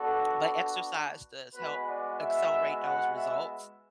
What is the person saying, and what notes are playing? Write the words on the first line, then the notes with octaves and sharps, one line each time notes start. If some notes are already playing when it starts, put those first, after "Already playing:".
but exercise does help accelerate those results,
Already playing: B3 D4 F#4 A4
G#3 B3 F#4 B4
D5
E5
F#5
E5